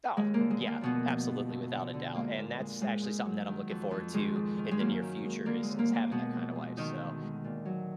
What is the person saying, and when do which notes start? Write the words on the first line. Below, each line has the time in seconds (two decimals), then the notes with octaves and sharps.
Oh, yeah, absolutely, without a doubt, and that's actually something that I'm looking forward to in the near future, is is having that kind of wife, so,
0.17 D#2 G#3
0.34 A#3
0.39 D3
0.50 G#3
0.61 G#3
0.67 A#3
0.81 F2 B2 B3
1.06 F3
1.27 F2
1.49 D2
1.72 D3
1.94 D3
2.15 G#3 A#3
2.37 A#2
2.59 G#3
2.81 G#2 G#3
3.03 G#2
3.25 F#3
3.48 D#3
3.70 F2
3.91 F2
4.13 D#3 G#3
4.35 G#2
4.58 D#3
4.71 G#3
4.79 F#2 A#3
5.02 D#3
5.24 G#3
5.46 D3 A#3
5.63 G#3
5.68 D#2
5.79 A#3
5.89 G#3
5.95 A#3
6.12 B2 G#3 B3
6.33 F2
6.55 G#3
6.77 D2 D#3 D#4
7.00 D2
7.22 G#3
7.44 A#2
7.65 F#3